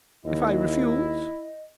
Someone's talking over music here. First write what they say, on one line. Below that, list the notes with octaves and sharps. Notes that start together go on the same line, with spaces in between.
"If I refuse?"
D#2 E4 D#5